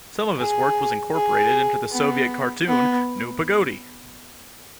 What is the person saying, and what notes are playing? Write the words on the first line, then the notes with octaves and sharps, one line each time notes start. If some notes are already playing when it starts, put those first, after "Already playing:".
Some of his work was incorporated into the Soviet cartoon, Nu Pogodi!
G#4
G#4
B3
B3